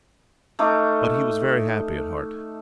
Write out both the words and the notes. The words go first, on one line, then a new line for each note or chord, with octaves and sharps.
But he was very happy at heart.
A3 D#4 F5 D6